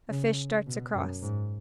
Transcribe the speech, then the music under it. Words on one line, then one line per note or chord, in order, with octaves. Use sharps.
A fish darts across.
C#3
B2
F#2
G#2